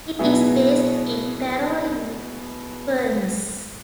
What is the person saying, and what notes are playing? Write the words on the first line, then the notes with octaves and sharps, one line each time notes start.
It is based in Barrow-in-Furness.
B2 F#3 B3 E4 G#4